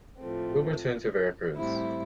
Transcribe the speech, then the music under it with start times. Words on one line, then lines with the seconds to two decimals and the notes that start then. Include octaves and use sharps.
We’ll return to Veracruz.
0.19 A2 F3 A3 C4
1.56 A2 G3 C4 E4